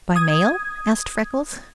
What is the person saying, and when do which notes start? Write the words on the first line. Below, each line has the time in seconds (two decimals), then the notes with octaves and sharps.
"By mail?" asked Freckles.
0.16 D#6 G#6